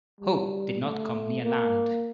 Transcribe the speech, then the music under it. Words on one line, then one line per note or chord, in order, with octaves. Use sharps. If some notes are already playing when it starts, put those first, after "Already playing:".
Hope did not come near land.
G3
A3
A#3